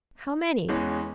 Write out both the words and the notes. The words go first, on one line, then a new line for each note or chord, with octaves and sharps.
How many?
E2 E3 G#3 C#4